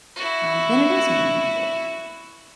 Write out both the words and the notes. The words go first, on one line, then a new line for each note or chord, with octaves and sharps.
then it is meaningful.
E4 F#4